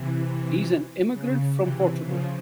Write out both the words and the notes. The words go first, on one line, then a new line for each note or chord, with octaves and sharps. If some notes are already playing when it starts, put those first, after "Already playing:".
He's an immigrant from Portugal.
Already playing: C3 E3
C#3
C3 E3
C#3 F3